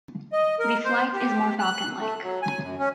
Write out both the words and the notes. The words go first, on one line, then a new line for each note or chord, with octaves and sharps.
The flight is more falcon-like.
D#5
A#4
C5
G4
F#6
A3
F#3
G#5
F#2
C#4